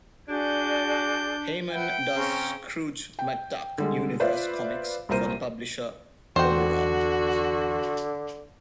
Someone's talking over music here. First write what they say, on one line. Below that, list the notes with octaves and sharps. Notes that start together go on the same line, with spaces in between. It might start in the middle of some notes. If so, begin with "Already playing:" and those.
Heyman does Scrooge McDuck universe comics for the publisher Oberon.
D4 F#4 G#4 D5 G6
B4 E5 F#5 G5
C#3 C4 C#4 A#5 C#6
G5
D3 G3 G#3
F4 B4 C5 D5 E5 F5
C2 A#2 G3 A#4 C5 D#7
E2 D3 F#4 C5 G5